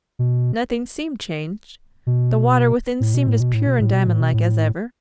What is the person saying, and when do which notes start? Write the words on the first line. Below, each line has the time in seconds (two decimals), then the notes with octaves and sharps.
Nothing seemed changed; the water within seemed as pure and diamond-like as ever.
0.19 B2
2.07 B2
3.00 A2
3.14 B2
3.27 A2
3.40 B2
3.54 A2
3.67 B2
3.80 A2
3.94 B2
4.07 A2
4.20 B2
4.33 A2